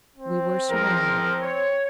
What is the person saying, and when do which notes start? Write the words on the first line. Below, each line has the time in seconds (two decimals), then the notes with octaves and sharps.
We were surrounded.
0.16 C4
0.70 E2 F3 A#4
1.42 C#5